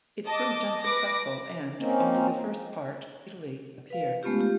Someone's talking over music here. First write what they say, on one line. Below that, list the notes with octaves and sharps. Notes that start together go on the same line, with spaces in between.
It proved unsuccessful, and only the first part "Italy" appeared.
D#5 A5 D6
B4 D6 A#6
A#3 C4 C#4 D#4
B4 F5
G#3 A3 B3 C#4 F4 G4
F4 G4